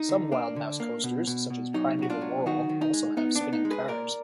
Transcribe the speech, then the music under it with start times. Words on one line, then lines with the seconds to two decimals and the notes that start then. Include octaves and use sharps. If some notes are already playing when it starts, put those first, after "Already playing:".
Some wild mouse coasters, such as Primeval Whirl, also have spinning cars.
Already playing: D#4
0.09 D3
0.32 A#3 D4
0.56 D3
0.80 A#3
1.04 B2
1.27 B2
1.50 B2
1.74 F#3 D#4
1.99 B2 F#4
2.10 D4 F4
2.22 F#3
2.46 D#3 D#4 F#4
2.69 D#3
2.81 D#4
2.93 G#3
3.17 B3 D#4
3.35 D4
3.41 B3
3.53 D#4
3.65 G#3
3.71 G#4 B4
3.88 A#2 A#4 D5